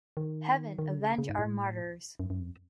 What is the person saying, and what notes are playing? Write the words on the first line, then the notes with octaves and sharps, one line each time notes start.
Heaven avenges our martyrs!
D#3
D#3
D3
C#3
C#3
G#2
A2
F#2
F#2
F2